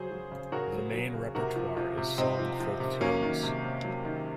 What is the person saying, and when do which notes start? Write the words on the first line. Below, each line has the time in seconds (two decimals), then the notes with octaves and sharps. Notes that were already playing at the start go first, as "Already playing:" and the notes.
The main repertoire is song folk-tunes.
Already playing: C#3 F#3 G#4 C5
0.11 F#3
0.32 C#3
0.52 C#3 F#4 A#4
0.73 F#3
0.94 F#3
1.14 C#3
1.35 C3 F#4 A#4
1.56 F3
1.77 F3
1.98 C3
2.18 C3 C4 D#4
2.39 F3
2.60 F3
2.80 C3
3.01 F#3 A#3 C#4
3.22 D#3
3.43 C3
3.63 C3
3.84 F#3
4.05 D#3